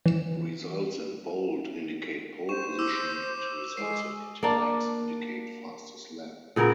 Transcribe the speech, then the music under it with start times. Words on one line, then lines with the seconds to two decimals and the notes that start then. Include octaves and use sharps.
Results in bold indicate pole position, and results in "italics" indicate fastest lap.
0.06 E3 E7
2.49 C5 C#6 E7
2.79 D6 E6
3.77 G#3 C7
4.43 A#3 D4
6.56 A#2 C#3 B3 A#4